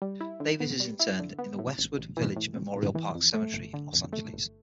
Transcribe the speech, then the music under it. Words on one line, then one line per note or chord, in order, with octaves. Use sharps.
Davis is interred in the Westwood Village Memorial Park Cemetery in Los Angeles.
G3
E4
D3
B3
G3
E4
D3
B3
A2
A1
A1
E3
A2
A1
A1
E3
F2
A3
G1
D3
F2
A3
G1